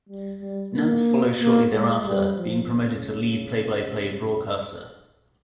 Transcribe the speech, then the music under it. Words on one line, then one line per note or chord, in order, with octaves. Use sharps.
Nantz followed shortly thereafter, being promoted to lead play-by-play broadcaster.
G3
G3
A#3
A#3
G#3
G3
F3
C#3